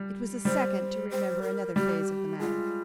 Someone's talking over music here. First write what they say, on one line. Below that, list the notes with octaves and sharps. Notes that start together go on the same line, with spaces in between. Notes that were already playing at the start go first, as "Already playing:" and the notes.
It was a second to remember another phase of the matter.
Already playing: G3
G3 C5
C5
A#4
G3 G4
G#3 F4